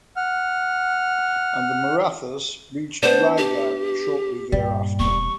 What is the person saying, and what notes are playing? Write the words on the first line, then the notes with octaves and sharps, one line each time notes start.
And the Marathas reached Raigad shortly thereafter.
F#5 F6
B3 D4 C5
G4
G2 A#2 G3
E1 E2 C#6